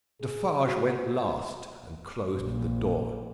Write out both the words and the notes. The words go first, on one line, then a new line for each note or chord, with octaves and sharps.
Defarge went last, and closed the door.
G#4
F#4
A#1